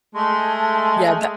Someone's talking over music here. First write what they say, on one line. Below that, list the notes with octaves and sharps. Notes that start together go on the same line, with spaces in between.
Yeah, th
G#3 A3 A5 C6